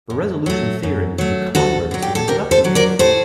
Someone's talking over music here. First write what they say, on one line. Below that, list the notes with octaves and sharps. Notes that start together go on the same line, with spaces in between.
The resolution theorem is the converse of the deduction theorem.
F#2
F#3 A3
F#2
F#3 A3
D2 F#4 A4
D3 F#3
G4
A4
D2 G4 A#4
A4 C5
D3 F#3
A#4 D5
A2 A4 C5